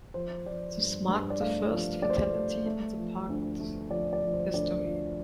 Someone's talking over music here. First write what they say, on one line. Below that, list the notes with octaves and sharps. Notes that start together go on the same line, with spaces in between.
This marked the first fatality in the park's history.
F3 C5
F3 D5
G2
G2
D5
A3 F5
F3
A3 D5
C5
D5
A3
A3
F3
D2
A3
F3 D5
D5
F3
C5
D2 D5
F3